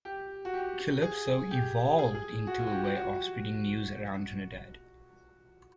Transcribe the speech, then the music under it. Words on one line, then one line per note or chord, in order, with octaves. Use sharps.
Calypso evolved into a way of spreading news around Trinidad.
G4
F#4
G4
G#4
G4
G#4
G#4
F#4
F4
F#4
G4
G4
F#4